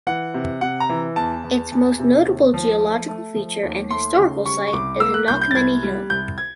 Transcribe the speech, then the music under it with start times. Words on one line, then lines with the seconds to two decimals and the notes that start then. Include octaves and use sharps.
Its most notable geological feature and historical site is Knockmany Hill.
0.07 E3 F#5
0.34 C3
0.61 C3 F#5
0.80 A#5
0.89 E3
1.16 E2 A5
1.44 E2
1.71 E2
1.99 C3
2.26 D#2
2.54 F3
2.81 A3
3.08 A3
3.36 F3
3.63 D#2
3.91 A3 C6
4.18 C#3
4.45 G3 C#6
4.68 C#6
4.73 C2 D6
5.00 A#3 E6
5.14 F#6
5.28 C2 G6
5.41 G6
5.51 A6
5.55 C2 G#6
5.83 G3
6.10 C2 G6
6.38 G#6